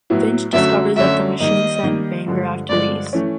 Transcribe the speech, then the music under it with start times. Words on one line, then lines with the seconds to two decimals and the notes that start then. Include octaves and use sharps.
Finch discovers that the Machine sent Granger after Reese.
0.10 A2 F#3 B3 E4
0.53 F#2 D3 F#3 A3 C#4 E5
0.96 F#2 D3 F#3 A3 C#4 E5
1.40 D#3 G3 A#3 D#5
1.83 D#3 G3 A#3
2.26 G2 D3 F3 G#3
2.69 G2 D3 F3 G#3 D5
3.13 E3 A3 C#4